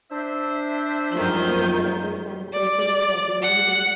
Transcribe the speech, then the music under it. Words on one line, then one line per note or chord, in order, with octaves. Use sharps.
Parties of characters can be created by "tracking" a leader.
D4 C5 E5
F#2 D#3 F3 G6
D5
F#5